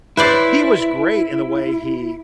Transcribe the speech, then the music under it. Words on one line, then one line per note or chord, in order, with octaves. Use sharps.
he was great in the way he
E4 B4 C5 D5